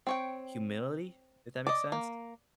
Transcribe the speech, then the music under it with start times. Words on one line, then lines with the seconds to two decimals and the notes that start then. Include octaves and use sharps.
humility, if that makes sense?
0.07 C4 C#5 G5
1.67 D5 D#5
1.92 A#3